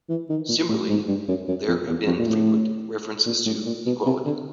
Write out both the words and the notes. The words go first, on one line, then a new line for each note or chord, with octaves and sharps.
Similarly, there have been frequent references to equity.
E3
D#3
A#2
A2
G#2
G2
F#2
F#2
F2
E2
F2
A#2
A2
A#2
A2
A#2
B2
C3
D3